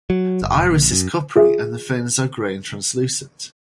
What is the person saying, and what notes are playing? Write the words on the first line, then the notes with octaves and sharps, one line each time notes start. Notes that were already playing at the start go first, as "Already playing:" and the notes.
The iris is coppery and the fins are grey and translucent.
F#3
F#1
F1
A#1
F#2
F4 G#4 E5